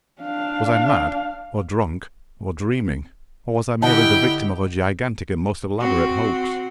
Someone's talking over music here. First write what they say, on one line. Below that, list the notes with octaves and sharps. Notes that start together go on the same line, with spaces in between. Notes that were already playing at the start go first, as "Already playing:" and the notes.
Was I mad, or drunk, or dreaming, or was I merely the victim of a gigantic and most elaborate hoax?
D4 F5
D3 E4 G4 D#5 F#5 G5 A5
C4 F#4